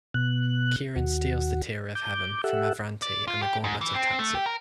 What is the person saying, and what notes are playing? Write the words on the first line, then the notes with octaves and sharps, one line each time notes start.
Kirin steals the Tear of heaven from Avranti and the Gauntlet of Tatsu.
B2 F#6
D#2 F#4
D6 G6
G4 A4 E5 F#5
D5
F4
G4
G#2
E3
C4
A3
G4
A#4